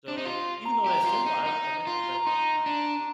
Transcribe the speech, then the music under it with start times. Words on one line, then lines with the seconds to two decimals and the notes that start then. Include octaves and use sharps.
so, even though that's simple, I've I definitely recommend trying that too.
0.08 D4
0.18 D#4
0.25 F4
0.66 A#5
0.86 G4
1.06 F4
1.26 D#4
1.46 D#4
1.87 F4
2.15 A#5
2.26 D#4 C6
2.66 D4